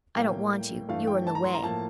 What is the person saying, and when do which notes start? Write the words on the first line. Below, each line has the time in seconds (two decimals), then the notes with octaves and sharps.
"I don't want you, you are in the way."
0.15 A2 G3 A#3 G5
0.89 G2 E3 A3 F5
1.07 G5
1.27 A5
1.35 A#5
1.44 C6
1.54 A#5
1.63 A2 F3 A#3 A5